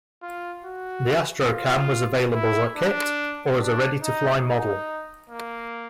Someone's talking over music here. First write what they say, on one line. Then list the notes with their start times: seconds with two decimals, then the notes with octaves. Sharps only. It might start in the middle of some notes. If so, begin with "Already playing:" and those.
The Astrocam was available as kit, or as ready-to-fly model.
0.23 F4
0.65 F#4
1.48 F4
2.34 E4
2.76 D4
3.61 D4
4.02 D#4
4.44 D#4
5.30 A#3